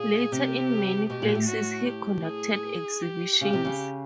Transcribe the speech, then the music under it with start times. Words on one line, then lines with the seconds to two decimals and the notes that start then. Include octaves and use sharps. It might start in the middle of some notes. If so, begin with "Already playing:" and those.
Later in many places he conducted exhibitions.
Already playing: A#2 G#4
0.32 C3 G4
1.09 B2 G4
1.22 A#2
1.35 A2
1.48 A2 F#4
1.86 G4
2.25 G#4
3.03 G4
3.41 C#3 G4
3.53 C3
3.65 C#3